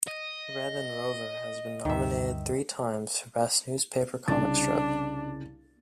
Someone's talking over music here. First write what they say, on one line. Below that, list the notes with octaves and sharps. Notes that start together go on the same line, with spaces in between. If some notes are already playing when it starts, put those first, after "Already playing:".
Red and Rover has been nominated three times for Best Newspaper Comic Strip.
D#5
D2 G2 D#3 E5
C2 C#3 D4 A6